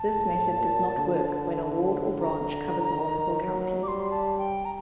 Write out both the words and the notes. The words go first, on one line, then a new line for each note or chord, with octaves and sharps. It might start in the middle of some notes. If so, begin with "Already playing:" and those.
This method does not work when a ward or branch covers multiple counties.
Already playing: A5
A2
A#2
D3
A#5
D#3
F#3
G3 C6 D6
A5
G5
A#5